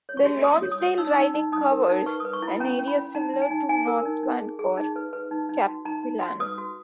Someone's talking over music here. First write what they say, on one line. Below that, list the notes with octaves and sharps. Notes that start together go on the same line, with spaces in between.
The Lonsdale riding covers an area similar to North Vancouver-Capilano.
C#5
C#6
F#4
F#4 D#6
C#5
D#6
C#5
D#4 E6
D#4
D#4
D#4 D#6
A#4
D#4
B4 C#6
D#6
B4
C#6
E4 B5
C#4 A#5
C#4
B5
C#4
D#4 A#5
D#4
G#5
D#4
D#4 G#5
A#4
D#4
D#4
G#4
G#4
D#4
B4
B4
D#4
D#4
F#4
D#4 A#5
D#4
F#4
B4 D#6
F#4